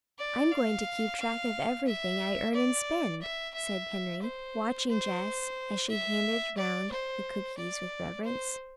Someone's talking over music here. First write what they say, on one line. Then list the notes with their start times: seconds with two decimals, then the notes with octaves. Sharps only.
"I'm going to keep track of everything I earn and spend," said Henry, watching Jess as she handed around the cookies with reverence.
0.19 D5
0.52 F5
1.20 F5
1.87 E5
2.54 D5
3.21 E5
3.54 E5
4.22 C5
4.89 C5
5.89 E5
6.57 D5
6.91 C5
7.58 D5
8.24 C5